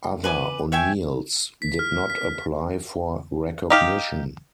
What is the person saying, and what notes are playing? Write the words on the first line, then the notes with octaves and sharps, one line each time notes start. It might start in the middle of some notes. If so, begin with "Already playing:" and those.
Other O'Neills did not apply for recognition.
B4 G#5 D6
C#5 E5 G5 G#5
B6
F6
B6
D#4 G4 F5